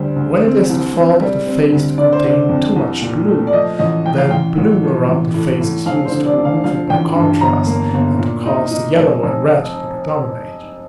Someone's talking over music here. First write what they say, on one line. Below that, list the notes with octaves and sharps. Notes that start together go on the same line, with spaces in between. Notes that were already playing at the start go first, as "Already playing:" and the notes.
When it is the fault of a face to contain too much blue, then blue around the face is used to remove it by contrast, and to cause the yellow and red to predominate.
Already playing: D2 G3 C5
D2
C4
C2
C4
G3
C4
D2
D3 D5
C5
D3 D5
F2
C2
A#2
A3
D5
F3 D#5
A1 D#5
F3 G5
F5
A1 G5
A1
F3
A1
A2
A2
F1 F5
C5
D3
D5
D3
F5
F3 F5
A1 G5
G2 A5
G1 A#5
A#3
G1
A#2
D#4
D#4
F1
F1